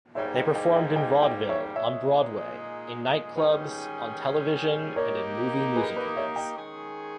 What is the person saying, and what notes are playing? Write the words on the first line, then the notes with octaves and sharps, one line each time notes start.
They performed in vaudeville, on Broadway, in nightclubs, on television, and in movie musicals.
G#2 G3 A#3 C#5 E5
D#5 G5
D#5 G5
D#5 G5
D#5 G5
D#5 G5
C#5 E5
A#2 G#3 D#4 G#4 C#5 E5
G#2 D#3 G3 C#4 G#4 B4 D#5
A#3 D#4 G4 A#4 C#5
G#4 B4
B4 D#5
C#5 E5
D#5 G5
D#3 G#3 C#4 G#4